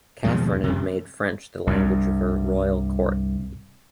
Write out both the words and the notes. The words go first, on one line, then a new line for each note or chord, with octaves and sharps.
Catherine had made French the language of her royal court.
D#2 B2 F3 G#3
F#2 C3
C2 G2